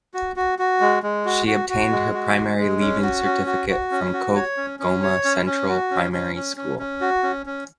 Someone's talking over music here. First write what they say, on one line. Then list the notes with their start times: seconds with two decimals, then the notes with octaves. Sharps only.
She obtained her Primary Leaving Certificate from Koch Goma Central Primary School.
0.14 F#4
0.36 F#4
0.59 F#4
0.81 G#3
1.03 G#3
1.25 F#4
1.47 F#4
1.69 F#4
1.92 G#3
2.14 F#4
2.36 G#3
2.58 G#3
2.80 C#4
3.02 F#4
3.25 C#4
3.46 F#4
3.69 F#4
3.91 C#4
4.13 F#4
4.35 C#5
4.57 C#4
4.80 C#4
5.02 C#5
5.25 C#4
5.46 C#4
5.68 F#4
5.91 C#4
6.12 C#4
6.35 C#4
6.57 C#4
6.79 C#4
7.01 F#4
7.23 C#4
7.46 C#4